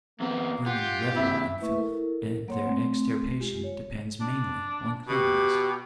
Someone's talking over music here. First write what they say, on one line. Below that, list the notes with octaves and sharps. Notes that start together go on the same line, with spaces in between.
Vermin revel in filth, and their extirpation depends mainly on cleanliness.
F2 A#3 B3
F4 G4 F#5
D#2 C3 E4 E5
A3 A#3 E4 B4 E5 C#6
E4 A4 A#4
F#3 A#3 C#5 F#5 C6
A3 C4 C6
G#3 F4 G4
C#5
D4
B2 G4